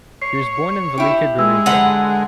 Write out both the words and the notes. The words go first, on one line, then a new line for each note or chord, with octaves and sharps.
He was born in Velika Gorica.
C#5 C7
E4 G4
G#3 E6
D3 B4 F#5